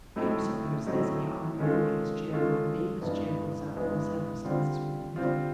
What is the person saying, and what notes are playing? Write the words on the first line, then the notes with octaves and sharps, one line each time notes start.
Can you suppose there's any harm in looking as cheerful and being as cheerful as our poor circumstances will permit?
A2 F#3 A3 C4 D#4
A2 F#3 A3 C4 D#4
D#3 G#3 C#4 F4 A4
D#3 G#3 C#4 F4 A4
G2 E3 G#3 B3
G2 E3 G#3 B3
D3 G3 C4 F4
D3 G3 C4 F4